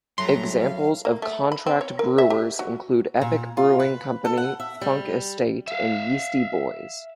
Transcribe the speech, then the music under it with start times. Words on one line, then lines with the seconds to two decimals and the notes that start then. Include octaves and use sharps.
Examples of contract brewers include Epic Brewing Company, Funk Estate and Yeastie Boys.
0.18 F#2 A2 F#3 G3 A#5 C6
0.59 F5
1.05 A#3
1.22 A3
1.52 B5
1.66 C4
1.81 C#5
1.99 A#4
2.18 E5
2.30 G4
2.59 F#4
3.22 A#2
3.57 F4
3.79 B4
4.25 A4
4.37 F#5
4.60 E5
4.81 G3
5.67 E5 F5